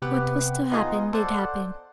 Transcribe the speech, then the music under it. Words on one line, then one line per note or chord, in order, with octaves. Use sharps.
What was to happen did happen.
C3 B3 G4 B4 F#5
B3 D#4 F4 G#4 D#5 G#5
A4 C5 D5 F#5